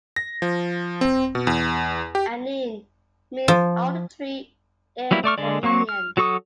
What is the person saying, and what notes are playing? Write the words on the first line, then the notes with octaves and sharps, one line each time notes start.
"Anin" means "alder tree" in Romanian.
A#6
F3
C4
B2
E2
G4
F3
F#3 G3 A#3 E4
A3 D5 C#6 F6
D3 G#3 D5
F#3 A#3 C4 C#6
F6
F#3 F#4 A4 C#6 D#6